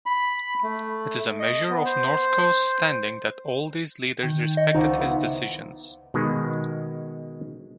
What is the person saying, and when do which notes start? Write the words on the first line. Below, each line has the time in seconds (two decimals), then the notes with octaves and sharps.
It is a measure of Northcote's standing that all these leaders respected his decisions.
0.06 B5
0.63 A3
1.40 D#5
1.69 B3
1.85 C5
4.23 D#3 G5
4.57 C#5 D#5
4.75 C#2 F3 D#4 D5 F#5 C#6
4.98 B3 E4 F4
6.14 B2 D#3 G#3